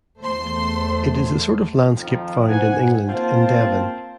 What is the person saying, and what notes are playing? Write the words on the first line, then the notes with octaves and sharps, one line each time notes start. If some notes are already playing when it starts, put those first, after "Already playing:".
It is the sort of landscape found in England in Devon.
E2 A3 C5 C6
F2 D#3 F3
G#2 F#5 G#5
A#3 C4 F4 C5 A5